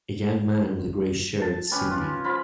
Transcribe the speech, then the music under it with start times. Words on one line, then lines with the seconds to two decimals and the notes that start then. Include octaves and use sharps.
A young man with a gray shirt singing.
1.41 A5
1.72 C#4 G4 B4
1.91 F4
2.24 F3 F4 B5